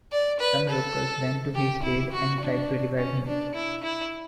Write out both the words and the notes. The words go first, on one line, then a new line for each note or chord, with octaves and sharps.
Some locals ran to his aid and tried to revive him.
D5
B4
A4
G4
E4
F#4
D4
C#4
D4
E4
E4